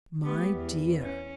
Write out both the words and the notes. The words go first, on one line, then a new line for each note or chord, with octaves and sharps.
"My dear!"
A3 B3 G4
E2
C#4